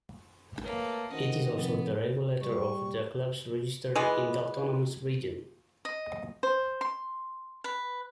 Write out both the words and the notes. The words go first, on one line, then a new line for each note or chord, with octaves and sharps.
It is also the regulator of the clubs registered in the autonomous region.
A3 A#3 A#4 B4 C#5
D#3 C#4 F#4 C5 D#5
C3 F3 B3 C4
G3 C#6
E3 G#3 B3
D#5
C5
C6
B4